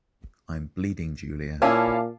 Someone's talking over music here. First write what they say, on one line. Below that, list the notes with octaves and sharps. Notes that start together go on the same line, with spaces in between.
I’m bleeding Julia.
A#2 C#4 E4 F5 A5 D6